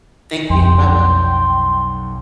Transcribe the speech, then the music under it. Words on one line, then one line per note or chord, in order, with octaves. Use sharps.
Thank you. Bye-bye.
B1 F2 G5 C6